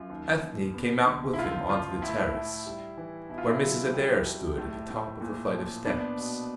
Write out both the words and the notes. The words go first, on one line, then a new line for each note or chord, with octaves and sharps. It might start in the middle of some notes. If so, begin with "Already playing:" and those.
Ethne came out with him on to the terrace, where Mrs. Adair stood at the top of the flight of steps.
Already playing: F#2 F4
D#2
D#2
B3
D3
E4
C#2 F4
F3 F4
A2 E4
A2
G3
E3
B2 E4
F4
E4
F#3
G3
F2
A2
A2
A#2
F3
B3 D4
B2